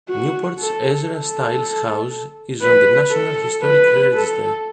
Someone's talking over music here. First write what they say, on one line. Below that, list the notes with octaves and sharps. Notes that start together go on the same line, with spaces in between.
Newport's Ezra Stiles House is on the National Historic Register.
F#4
A4
A4
B4
A4
B4
A4